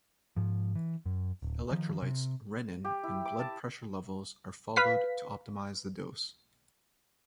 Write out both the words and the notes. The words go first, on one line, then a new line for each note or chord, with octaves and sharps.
Electrolytes, renin, and blood pressure levels are followed to optimize the dose.
G#2 F3
E3
F#2
D1
D#3 F3
C3
G4
E4
D6
A5
B4 F5 B6